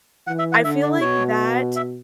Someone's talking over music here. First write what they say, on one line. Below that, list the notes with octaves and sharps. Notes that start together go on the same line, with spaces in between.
I feel like that
E3 F#5
E5
F#5
D3 E5
D5
B2 C#5
E5